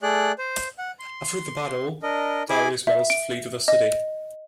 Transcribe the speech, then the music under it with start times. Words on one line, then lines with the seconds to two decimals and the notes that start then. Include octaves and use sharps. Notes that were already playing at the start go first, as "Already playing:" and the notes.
After the battle, Darius managed to flee to the city.
0.03 A3 G#4 D5 F#6
0.38 C5
0.78 F#5
0.99 C6
2.03 D4 A#4 D#5
2.49 E4 G#4 G#5 B5 D6
2.87 E5
3.10 D7
3.68 D#5